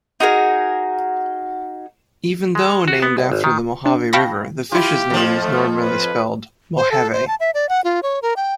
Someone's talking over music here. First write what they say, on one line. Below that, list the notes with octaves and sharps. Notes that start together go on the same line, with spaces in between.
Even though named after the Mojave River, the fish's name is normally spelled "Mohave".
D#4 F#4 G#4 A#4
G#3
F#4
B3
C2
G#1
D#3
D4
F5 G5 A5 B5 C#6 A#6
E4 F4 G4
F2 F3
A3
B4
C5
A4
C5
A5
E5
D5
F#5
F4
C#5
A#4
G5